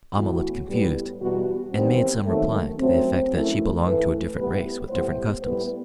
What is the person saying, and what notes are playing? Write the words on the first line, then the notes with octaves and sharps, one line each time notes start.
Almah looked confused, and made some reply to the effect that she belonged to a different race with different customs.
A2 E3 B3 F#4
A2 G3 B3
E2 B2 G3 B3 F#4
E2 D#3 G3 B3 C4
D#2 D#3 F#3 A3
F#2 F#3 A3 C4
F#2 E3 A3
A2 E3 A3 B4
A2 G3 B3 B4
A2 G3 B3 C5
A2 G3 B3 B4